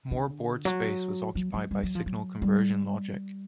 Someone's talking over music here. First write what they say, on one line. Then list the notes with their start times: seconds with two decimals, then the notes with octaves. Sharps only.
More board space was occupied by signal conversion logic.
0.11 D3
0.65 F#3
1.35 F#3
1.54 F#3
1.71 G3
1.83 F#3
1.95 F3
2.06 F#3
2.42 G3